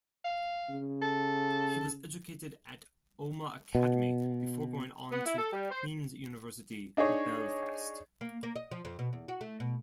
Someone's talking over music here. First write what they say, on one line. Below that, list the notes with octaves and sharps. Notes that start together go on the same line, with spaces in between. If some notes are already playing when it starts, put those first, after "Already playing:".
He was educated at Omagh Academy before going on to Queen's University, Belfast.
F5
C#3
A4
B2
B3
E4
A4
G3
C5
D4 D#4 G#4 C#5
A#3
A#3
D#5
F3
F2
B2
E2
F#4
A3
B2